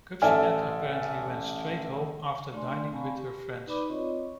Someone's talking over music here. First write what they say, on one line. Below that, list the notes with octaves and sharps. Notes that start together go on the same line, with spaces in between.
Kupcinet apparently went straight home after dining with her friends.
A1 A4 D5 E5 G#5 F6
A3 D4 D5 G#5 C6
C4 F5 G#5 A5 B5 C#6
G4
D#4 B4 D5 B5 D6
C4 F4 C#5 D#5 C#6